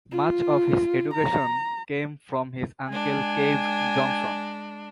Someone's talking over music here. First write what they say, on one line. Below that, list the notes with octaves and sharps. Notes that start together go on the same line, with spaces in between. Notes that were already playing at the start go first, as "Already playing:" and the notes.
Much of his education came from his uncle Cave Johnson.
F4
A#5
G#3 D4 G#5